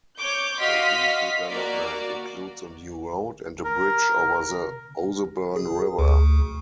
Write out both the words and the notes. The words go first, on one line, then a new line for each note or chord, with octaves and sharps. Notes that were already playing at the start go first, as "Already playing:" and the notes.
The redevelopment includes a new road and a bridge over the Ouseburn river.
C#5 D6 G6
F#4 D#5 F5 C6 B6
A#3 F#4 D5
A#4
G#4
D2